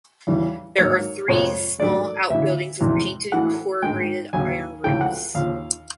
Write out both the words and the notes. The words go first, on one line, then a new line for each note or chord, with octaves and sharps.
There are three small outbuildings with painted corrugated iron roofs.
E2 C#3 E3 G3
G#2 D#3 F#3 A#3 C#5
F2 C3 F3 G#3 C#5
G#2 D#3 F#3 A3 D5
D2 C#3 E3 E5
E2 C3 E3 G#3
A2 E3 A3 F#5
G#2 D#3 G#3 G5
D#2 C#3 F#3 G#5
C#2 C#3 E3 A3 G5
F#5
D#2 C#3 F3 F5